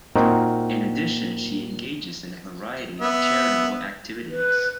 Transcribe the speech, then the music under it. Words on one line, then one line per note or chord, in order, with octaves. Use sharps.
In addition she engages in a variety of charitable activities.
A#2 C4 D#4 F#4 A#4
B3 E5
B4